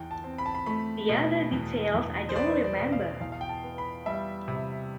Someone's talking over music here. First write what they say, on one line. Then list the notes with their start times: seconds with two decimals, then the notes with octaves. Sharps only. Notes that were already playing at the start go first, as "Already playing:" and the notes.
The other details I don't remember.
Already playing: E2 G5
0.11 A5
0.24 C4
0.38 B5
0.46 A5
0.55 B5
0.66 A3 B5
1.09 B2
1.52 E2
1.94 E2
2.29 C5
2.36 B3 D5
2.64 D5
2.78 B2
2.92 F5
3.20 E2 F5
3.32 F5
3.41 G5
3.49 A5
3.64 B3
3.78 B5
4.06 G3 E5
4.48 C3